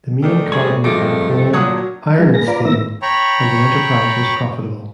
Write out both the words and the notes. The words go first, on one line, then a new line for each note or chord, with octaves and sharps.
The main cargos were coal, iron and steel, and the enterprise was profitable.
D#3 A3 D4
G3 C4 G#4 C#5 C#6
G2 F3 G#3 A3 C4 D#5 D6
A#2 F#3 D4 C#5 F#5 D#6
F3 G#3 F4
A#3 G#4 B4 A#6
F4 B4 D5 A#5
D#3 A#3 B3 E5 A#6
C#5 G5 A#5 B5 C#6